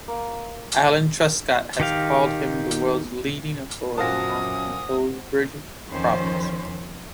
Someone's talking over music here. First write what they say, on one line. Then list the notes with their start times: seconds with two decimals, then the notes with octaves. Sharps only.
Alan Truscott has called him "the world's leading authority" on composed bridge problems.
0.08 A#3
1.80 D#3 G4 F5
3.98 F#2 A#2 C5 F5 F#5 A5 D#6 A#6
5.89 F2 D#3 C#4 C5